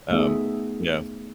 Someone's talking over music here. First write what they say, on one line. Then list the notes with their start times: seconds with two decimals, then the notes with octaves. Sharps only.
Um, yeah.
0.11 A3 B3 D#4 G#4 E5